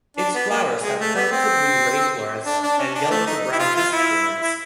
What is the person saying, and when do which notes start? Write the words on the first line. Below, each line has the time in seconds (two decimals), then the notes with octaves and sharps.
Its flowers have purple to blue ray florets and yellow to brown disk florets.
0.17 D4
0.34 B3
0.50 A#3
0.82 G#3
1.00 A3
1.15 B3
1.31 C4
2.46 D4
2.62 D4
2.78 C#4
2.94 D4
3.11 A3
3.26 D#4
3.44 D#4
3.52 E4
3.59 F4
3.76 F4
3.92 E4
4.42 E4